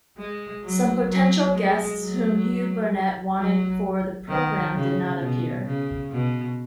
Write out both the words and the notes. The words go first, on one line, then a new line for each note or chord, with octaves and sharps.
Some potential guests whom Hugh Burnett wanted for the programme did not appear.
G#3
F#3
F#3
G#3
F#3
F#3
D#3
C#3
B2
C#3
B2